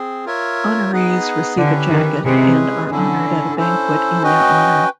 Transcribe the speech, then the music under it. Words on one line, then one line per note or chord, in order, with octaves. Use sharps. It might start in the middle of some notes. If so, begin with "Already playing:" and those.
Honorees receive a jacket, and are honored at a banquet in their honor.
Already playing: C4 G#4
F4 A#4 C#5 E5
B3 D#4 G#4 B4 D#5
D3 C#4 E4 G4 B4
D#3
C3 G#3 C#4 E4 G#4 B4
D3 C#4 E4 A4
C#4 E4 A4 C5
C#4 F#4 B4 D#5 G5